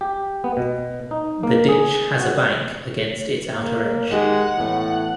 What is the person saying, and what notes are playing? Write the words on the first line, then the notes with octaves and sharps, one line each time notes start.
The ditch has a bank against its outer edge.
G4
B3
B2
D#4
A#3
G#4
F#4
A#3
D#3 G#3 D#4 G4 F#5
A2 E3 B3